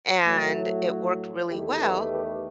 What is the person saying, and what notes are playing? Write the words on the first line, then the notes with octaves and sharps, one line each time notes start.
and it worked really well.
A2 F#3 A3
E2 D#3 A3 E4 G4
G4 B4
G4 B4